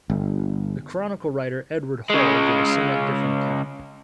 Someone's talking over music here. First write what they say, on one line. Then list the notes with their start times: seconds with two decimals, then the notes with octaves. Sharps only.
The chronicle writer Edward Hall gave a somewhat different account.
0.10 G1
2.10 C#3 G#3